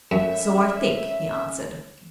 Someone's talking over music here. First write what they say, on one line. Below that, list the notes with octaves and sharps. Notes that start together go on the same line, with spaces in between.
'So I think,' he answered.
F#2 C#4 A4 E5